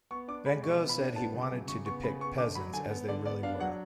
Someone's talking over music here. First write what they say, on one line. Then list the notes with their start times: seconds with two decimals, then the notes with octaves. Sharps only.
Van Gogh said he wanted to depict peasants as they really were.
0.11 B3 C#6
0.28 D4 D6
0.46 G#3 B5
0.63 B2 C#6
0.81 B3
0.89 B5
0.98 D4
1.16 B3 A5
1.34 C#3
1.42 D6
1.51 F#3
1.68 C#3 C#6
1.86 B3 C#6
2.03 C#3 B5
2.20 B3 C#6
2.38 D3 D6
2.55 F#3 B5
2.73 D3 G#5
2.91 B3
3.08 D3 D5
3.25 B3 D5
3.43 D4 F5
3.60 F#3 F#5